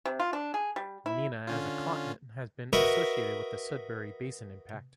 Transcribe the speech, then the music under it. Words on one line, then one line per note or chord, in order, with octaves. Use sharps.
Nena as a continent has been associated with the Sudbury Basin Impact.
C3
F4
D4
G#4
G3
E4
D3 C#4 F4
F#4 A#4 B4 D#5 E5 B5